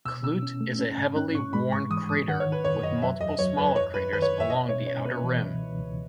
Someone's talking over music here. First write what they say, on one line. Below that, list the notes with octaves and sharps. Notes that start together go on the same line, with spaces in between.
Klute is a heavily worn crater with multiple smaller craters along the outer rim.
B2 E6
B2 E6
C#4
A3
C#4
G#2
C#4 F#6
G#2 C#6
G#3 B5
G#2 C#6
E3 D#6
G#2 D#6
D#3 F#5
C#5
D#3
B4
F#2 C#5
F#2 D#5
F#3 E5
E2 D#5
F#3 C#5
E2 B4
F#2 C#5
F#2 B4
D#3 B4
C#5
F#2
E5
B2 D#5
B2 C#5
C#4 C#5
B2 B4
E3
C#2
C#2
C#2